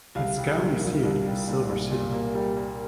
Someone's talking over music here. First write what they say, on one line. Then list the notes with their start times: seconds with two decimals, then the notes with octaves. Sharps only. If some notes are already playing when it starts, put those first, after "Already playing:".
Its county seat is Silver City.
0.15 C2 F5
0.37 G3
0.59 A#3
0.81 C2
1.03 C2
1.26 G3
1.47 A#2
1.69 C2
1.91 A#2
2.12 A#3
2.35 G3
2.57 A#3